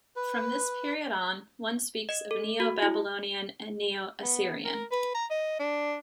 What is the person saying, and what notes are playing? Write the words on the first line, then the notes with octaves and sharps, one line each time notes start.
From this period on, one speaks of Neo-Babylonian and Neo-Assyrian.
B4
D#5
A4
F#4
E4
B3
A#4
B4
A#5
D#5
D4